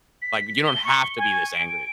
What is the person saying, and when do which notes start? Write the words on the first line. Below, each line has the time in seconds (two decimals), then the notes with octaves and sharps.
Like, you don't have to be this angry."
0.22 B6
0.67 G7
0.85 C#6
1.18 G#5
1.54 D7